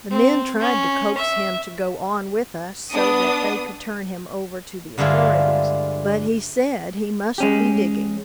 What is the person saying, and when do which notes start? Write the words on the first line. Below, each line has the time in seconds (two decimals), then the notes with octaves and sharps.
The men tried to coax him to go on with us so that they could turn him over to the authorities, but he said he must be digging.
0.11 C4
0.60 C#4
1.17 E5
2.93 B3 D4 D#6
4.98 G2 D3 G#3 E4 F4
7.38 G#3 C#4 G4